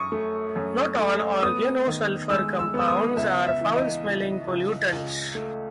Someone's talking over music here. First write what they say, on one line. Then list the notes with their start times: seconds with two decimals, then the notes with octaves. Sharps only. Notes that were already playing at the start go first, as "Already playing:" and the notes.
Not all organosulfur compounds are foul-smelling pollutants.
Already playing: F#2 C#6 D#6
0.12 A3
0.56 F#2
0.99 A3
1.42 B3 D#6
1.87 D#3
2.30 G#3 E6
2.59 E6
2.74 B3 E6
2.88 D#6
3.17 C#2 E5
3.47 E5
3.61 E3
3.76 D#5
4.05 C#2
4.48 C#2
4.92 C#2
5.35 A3